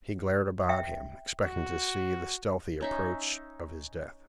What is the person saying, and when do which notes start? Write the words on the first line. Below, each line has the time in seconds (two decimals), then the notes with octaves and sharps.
He glared about him, expecting to see the stealthy approach of his death.
0.69 E5 G5
1.44 F#4
2.81 C#4 D#4 E5